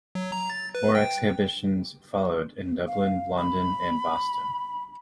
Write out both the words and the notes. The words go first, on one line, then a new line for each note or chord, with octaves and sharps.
More exhibitions followed in Dublin, London and Boston.
F#3
A#5
A6
B4
G5
F5
B5